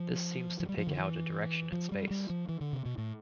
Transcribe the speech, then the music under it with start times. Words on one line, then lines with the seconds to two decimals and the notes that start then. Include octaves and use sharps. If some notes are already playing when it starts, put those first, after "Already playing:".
This seems to pick out a direction in space.
Already playing: F3
0.60 F3
0.69 G3
0.78 F3
0.87 D3
0.96 E3
1.72 F3
1.92 G3
2.11 G3
2.30 F3
2.49 E3
2.61 D3
2.73 C3
2.86 B2
2.98 A2